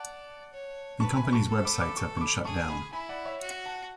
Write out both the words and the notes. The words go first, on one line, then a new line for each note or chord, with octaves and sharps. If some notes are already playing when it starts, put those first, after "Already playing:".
The company's websites have been shut down.
Already playing: D5 F#5 A5
C#5
B4 A5 C#6
G#5 B5
A5 C#6
A4
B5 D6
B5 D6
A5 C#6
C#6
B5 D6
G#4 A5 C#6
G#5 B5
E4 G#5 B5
D5 F#5
C#5 E5
F#4
F#5 A5